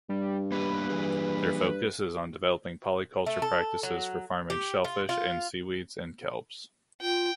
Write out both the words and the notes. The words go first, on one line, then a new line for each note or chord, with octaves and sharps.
Their focus is on developing polyculture practices for farming shellfish and seaweeds and kelps.
G2 G3
A#3 B3 G4 B4
E3 A#3 G#4
A3
A4
F#3
G4
F4
F4
F4 G5